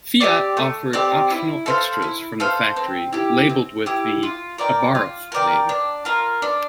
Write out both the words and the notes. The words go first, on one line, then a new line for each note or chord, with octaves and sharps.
Fiat offered optional extras from the factory labelled with the Abarth name.
C4 G4 D5
A3
C4 G4 D5
E4
A4 C5 F5
E4
A4 C5 F5
C4
E4 G4
C4
E4 G4
F4
A#4 D5 G5
F4
A#4 D5 G5
D4
F4 A#4
D4